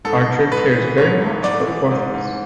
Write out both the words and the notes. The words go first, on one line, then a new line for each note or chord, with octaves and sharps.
Archer cares very much for Porthos.
G#2 A4
G#2
G#2 B4
E3
G#2 C#5
G#2
G#2 D5
E3
G#2
G#2